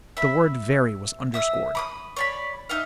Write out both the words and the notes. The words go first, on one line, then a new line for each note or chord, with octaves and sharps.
The word 'very' was underscored.
E5 B5
E5 D#6 E6
B5 D6 D#6
C#5 D5 B5
D#4 E5 F5